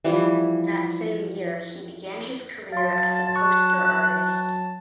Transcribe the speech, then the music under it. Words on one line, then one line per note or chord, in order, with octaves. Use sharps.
That same year, he began his career as a poster artist.
E3 F3 G3 E4
F#3 F5 A5 C6 A6
C#6 F#6